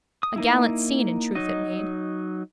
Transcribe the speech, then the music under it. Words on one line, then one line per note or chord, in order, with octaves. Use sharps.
A gallant scene in truth it made.
D#6
A#3 D#4 E4
F#3 D#4 D#5